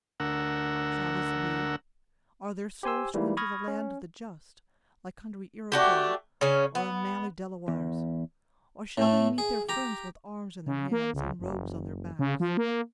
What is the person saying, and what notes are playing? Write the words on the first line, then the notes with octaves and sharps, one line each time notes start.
Shall this be? Are their souls to enter the land of the just like hungry Iroquois or unmanly Delawares, or shall they meet their friends with arms in their hands and robes on their backs?
D2 A#4 F#5 E6
G4 C5 G#5 C6 E6
E3 G3 G#3 A#3 D#4 E4
B5 C#6 D#6 F6 G#6 A#6
C#4
A3 D4 F#4 G4
C#3 C#4
B3
E2
A2 A3
G#4
G4 A#5
C#3
A#3
C#2
F#1
C#3
F3
A#3